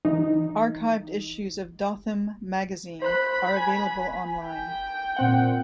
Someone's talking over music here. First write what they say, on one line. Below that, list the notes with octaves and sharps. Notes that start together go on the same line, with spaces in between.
Archived issues of "Dothan Magazine" are available online.
E3 D#4
C5 B5 F#6
G#5
G5
A#2 C4 F#5